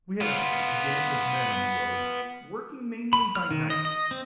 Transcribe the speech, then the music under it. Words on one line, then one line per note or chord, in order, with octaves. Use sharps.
We had a gang of men on the road, working mainly by night.
B3 F4
B5
F6
D#3
D#5
D#5
C4